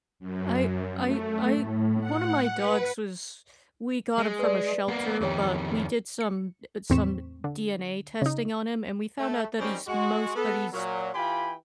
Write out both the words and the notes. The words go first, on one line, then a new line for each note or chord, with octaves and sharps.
I I I one of my dogs was we got him from a shelter, but we did some uh, some DNA testing on him, and we found out that he's most that he's
F#2
A3
A2
F#5
B4
G#3
B4 D5
A#3 B3
F2 D#3 G4 C#5 G5
C#7
E2 A2 C4 C#6 B6 E7
D3
C#3 D#4
A3
D#3 G3 C4 C#4
G#3 F#4
B3 A4
A#2 F#3
E3 F4 G4 G5 G#5 B5